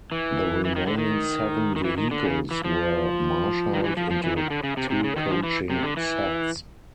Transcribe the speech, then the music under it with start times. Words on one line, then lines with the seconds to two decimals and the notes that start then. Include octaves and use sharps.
The remaining seven vehicles were marshalled into two coaching sets.
0.12 E3
0.65 E3
0.76 D#3
0.87 D3
0.98 D#3
1.76 D#3
1.84 E3
1.98 D#3
2.11 D3
2.24 C#3
2.51 E3
2.64 F3
3.74 D#3
3.84 E3
3.97 F3
4.11 F3
4.24 E3
4.37 D#3
4.50 D3
4.63 C#3
4.77 C3
4.90 C3
5.04 C#3
5.16 D#3
5.30 F3
5.43 E3
5.70 C3
5.83 D3
5.97 E3